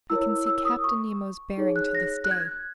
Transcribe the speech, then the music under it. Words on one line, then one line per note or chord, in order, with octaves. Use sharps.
I can see Captain Nemo's bearing to this day.
E4 A#4 C#5 E6
E6
D#6
C#6
D#4 G#4 C#5
F#6
A#6
F#6
G#6